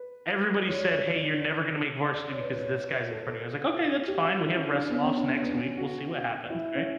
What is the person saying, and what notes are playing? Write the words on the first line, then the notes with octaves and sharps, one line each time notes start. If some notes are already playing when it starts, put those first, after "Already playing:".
everybody said, "Hey, you're never gonna make varsity because this guy's in front of you." I was like, "Okay, that's fine, we have wrestle offs next week, we'll see what happens," right?
Already playing: B4
C#5
D5
C#5
D5
D5
D5
C#5
B4
C#5
B4
C#5
C#5
A4
B4
A4
G4
F#4
E4
C#4
D4
B3
C#4
D4
C#4
B3
D4
C#4
F#4
E4
C#4